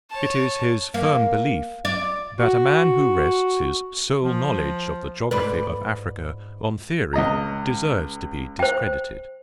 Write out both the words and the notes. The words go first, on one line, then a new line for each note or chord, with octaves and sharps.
It is his firm belief, that a man who rests his sole knowledge of the geography of Africa on theory, deserves to be discredited.
C#5 A5
A#3
D5
F#4
F3
G#2 D4 B4
C#2 D#5 A#5
C5 G5